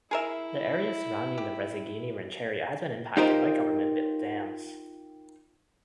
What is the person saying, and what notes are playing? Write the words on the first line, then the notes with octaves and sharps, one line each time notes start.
The area surrounding the Resighini Rancheria has been impacted by government-built dams.
E4 G#4 A#4 E5
G4
D#4 F4 G4 A#4 C5 D#5